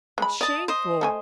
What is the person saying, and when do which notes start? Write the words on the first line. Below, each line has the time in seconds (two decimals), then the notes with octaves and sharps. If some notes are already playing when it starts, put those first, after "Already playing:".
It's shameful!
0.18 G#3 B5
0.41 D5 D#5 A5
0.68 C5 D#5
1.01 A3 A4 G#5